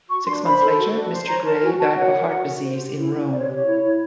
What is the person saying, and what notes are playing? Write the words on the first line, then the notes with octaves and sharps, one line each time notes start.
Six months later, Mr. Gray died of a heart disease in Rome.
F#4 C#6
D4 C6
C5 B5
A4
F#4
D4
C5
C#5 A#5
A#4 A5
F#4 G#5
F#4 A5
C#5 F#5
A#4
F#4
F#4
C5
G4
E4
E4
C5 D5
C#5
G4 C#5
E4
E4